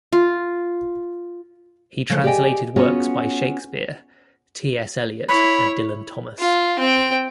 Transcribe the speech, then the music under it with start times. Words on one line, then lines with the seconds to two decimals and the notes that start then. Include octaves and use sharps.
He translated works by Shakespeare, T. S. Eliot and Dylan Thomas.
0.12 F4
2.09 C#3 F3 A3
2.24 G4 G#4 D5 D#5 G5 G#5
2.76 B3 C#4 F4 F#4 G#4 C#5
5.29 E4 C#5 B5
6.39 F4
6.79 C4 G5